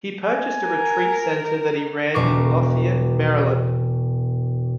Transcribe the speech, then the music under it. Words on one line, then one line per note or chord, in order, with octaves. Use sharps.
He purchased a retreat center that he ran in Lothian, Maryland.
G#5
A#4
E1 B2 A#4 C#6 D6 C7